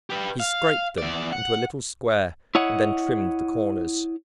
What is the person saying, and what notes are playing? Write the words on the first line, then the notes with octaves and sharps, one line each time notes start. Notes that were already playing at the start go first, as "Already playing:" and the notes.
He scraped them into a little square, and then trimmed the corners.
G4 B4
F5
E2 D5
F#5
E4 C#5 D#5 F#5